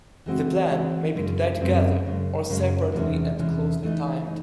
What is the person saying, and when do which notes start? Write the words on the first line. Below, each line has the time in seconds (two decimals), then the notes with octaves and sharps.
The plan may be to die together, or separately and closely timed.
0.26 E3 G#3 C4 F#4
0.71 E3 G#3 C4 F#4
1.15 F#2 C#3 G#3 C4
1.60 F#2 C#3 G#3 C4
2.04 F#2 C#3 G#3
2.50 F#2 C#3 G#3
2.93 E2 C3 E3 G#3 C#4
3.38 E2 C3 E3 G#3 C#4
3.83 E3 A3 D#4
4.27 D#4